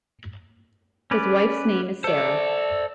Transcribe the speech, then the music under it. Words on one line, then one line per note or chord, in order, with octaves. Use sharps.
His wife's name is Sarah.
C#4 B4 D5
A4 C5 D5